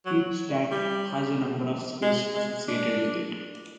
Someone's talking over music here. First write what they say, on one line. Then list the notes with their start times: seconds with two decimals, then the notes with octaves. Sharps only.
Each stat has a number of skills associated with it.
0.06 F#3
0.71 G3
2.02 G#3
2.35 G#3
2.68 D4